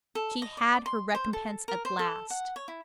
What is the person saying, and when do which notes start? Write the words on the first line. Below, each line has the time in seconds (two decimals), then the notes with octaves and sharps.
She had her recompense at last.
0.15 A4
0.42 D#5
0.57 D5
0.86 C6
1.15 C5
1.33 A4
1.68 A#4
1.85 C5
1.99 A4
2.30 F#5
2.56 C#5
2.68 E4